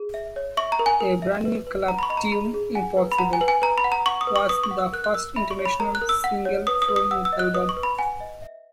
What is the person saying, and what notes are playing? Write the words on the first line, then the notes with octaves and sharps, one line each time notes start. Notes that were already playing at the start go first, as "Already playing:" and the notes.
A brand new club tune "Impossible" was the first international single from the album.
Already playing: G#4
E5
C#5
E5 C#6
A#5
A#4
G#5
A#4
E5
B4
B4
F#5 A#5
B5
C#6
D#5 B5
A#5
G#4 B5
G#4
F#5 G#5
B4
B5
F#5 A#5
G#5
B4
G#5
B4 A#5
B5
F#5
A#5
F#5 C#6
D#6
B4
C#6
B4 D#6
C#6
F#5
E6
A#4 F#6
F#6
A#4 E6
E5 B5
C#6
C#5
B5
A#4 A#5
F#6
A#4
E6
F#5
C#5
B4 D#6
D#6
B4
D#6
F#5 E6
E6
D#5
F#6
B4 D#6
C#6
B4
B5
F#5 G#5
D#5
E5